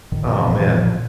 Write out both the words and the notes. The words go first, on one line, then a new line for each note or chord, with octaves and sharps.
Aw, man.
A#2 D#3
D3
A#2 D#3
A#2 E3
A#2
F3
A#2